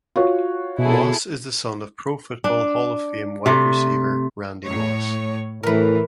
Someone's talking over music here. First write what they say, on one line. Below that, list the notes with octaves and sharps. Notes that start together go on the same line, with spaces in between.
Moss is the son of Pro Football Hall of Fame wide receiver Randy Moss.
F4 F#4 C#5
B2 E4 G#4 A4
D4
C3 A3
A2 C#5
A2 E3 A#4 B4